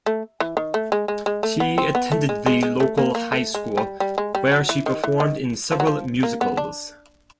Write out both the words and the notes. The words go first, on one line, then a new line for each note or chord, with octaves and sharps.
She attended the local high school, where she performed in several musicals.
A3
E3
D#3
A3
G#3
G#3
G#3
A3
B3
C4
B3
A3
G#3
G#3
G#3
A3
A#3
A#3
A3
G#3
G3
G3
G#3
G3
F#3
E3
D#3
E3
D#3
F3
F#3
F3
A#3
B3
D4